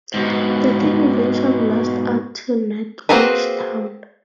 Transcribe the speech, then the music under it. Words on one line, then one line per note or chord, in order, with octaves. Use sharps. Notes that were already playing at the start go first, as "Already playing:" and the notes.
The team eventually lost out to Nantwich Town.
G#2 B2
A#3 C4 F#4 G#4 B4